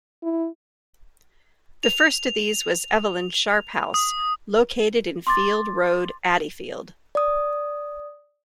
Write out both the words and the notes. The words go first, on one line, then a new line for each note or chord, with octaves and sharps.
The first of these was Evelyn Sharp House, located in Field Road, Adeyfield.
E4
F7
D#6
C6 D6 A6
D5 D#6